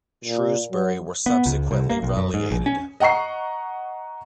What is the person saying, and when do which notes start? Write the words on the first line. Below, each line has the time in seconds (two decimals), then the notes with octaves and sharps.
Shrewsbury were subsequently relegated.
0.24 A#2
0.72 F#3
1.26 B3
1.46 C#2
1.71 C2
1.90 A#3
2.03 B1
2.17 F#2
2.34 G#2
2.51 A#1
2.66 C#4
3.00 D#5 F#5 A#5 C#6 C7